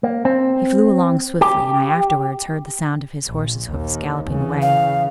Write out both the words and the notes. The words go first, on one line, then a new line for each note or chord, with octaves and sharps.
He flew along swiftly, and I afterwards heard the sound of his horse's hoofs galloping away.
A#3
C4
G4
A#1
D#2
C#3 E3
F5